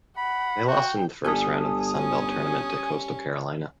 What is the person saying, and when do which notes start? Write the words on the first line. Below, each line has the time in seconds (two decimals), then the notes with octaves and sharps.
They lost in the first round of the Sun Belt Tournament to Coastal Carolina.
0.17 F#5 B5
0.68 F#4 G5
1.24 G1 G3 A4 G#5 D#6
1.95 C#4